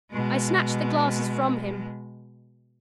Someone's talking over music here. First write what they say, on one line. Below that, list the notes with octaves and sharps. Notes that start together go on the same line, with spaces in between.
I snatched the glasses from him.
B2 G#3